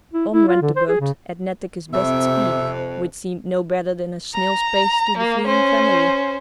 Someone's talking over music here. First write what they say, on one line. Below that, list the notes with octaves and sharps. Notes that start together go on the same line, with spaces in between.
On went the boat at Netteke's best speed, which seemed no better than a snail's pace to the fleeing family.
E4
E4
F4
D3
C5
G#4
C#3
F2 C3 E5
A#5
A#3
C#4 C5